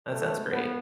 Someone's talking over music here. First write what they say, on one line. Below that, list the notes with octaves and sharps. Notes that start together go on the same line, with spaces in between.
That sounds great.
C#2 B2 A3
G2 B3